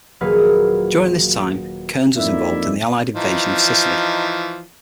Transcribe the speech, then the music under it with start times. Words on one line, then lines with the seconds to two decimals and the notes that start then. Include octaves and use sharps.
During this time, "Cairns" was involved in the Allied invasion of Sicily.
0.21 D#1 F#3 A#3 G#4 B4 F5
2.17 F2 A#3 D#4 E4 D5 E5
3.14 E3 F3 D#4